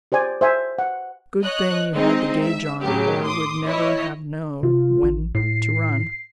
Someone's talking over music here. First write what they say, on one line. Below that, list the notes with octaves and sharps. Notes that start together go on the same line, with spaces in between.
Good thing you had the gauge on or we'd never have known when to run.
G4 C5 D5 G#5
C5 E5 G#5
F#5
C#5 D#5 F#6
G#3 C4 D#4 D#5
E5
A2 C#3 F#3 G4
C6 D6 D#6
E4 C#5 D#5
C3 F4
A1
A2 C7